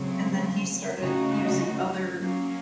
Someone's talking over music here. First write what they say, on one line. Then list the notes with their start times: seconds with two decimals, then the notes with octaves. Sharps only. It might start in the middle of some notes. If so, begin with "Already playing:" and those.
and then he started using other
Already playing: C#3 F#3 A3 C4
1.01 C#3 A3 D#4 F#4
2.17 F#3 A#3 C#4